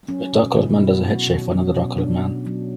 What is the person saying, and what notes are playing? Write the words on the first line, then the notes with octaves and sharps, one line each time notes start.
A dark colored man does a head shave for another dark colored man.
F#3 C#4
B2
B2 E4
B2
F#3 F#4
B2
F#3 C#4
B2
B2 D4
B2
F#3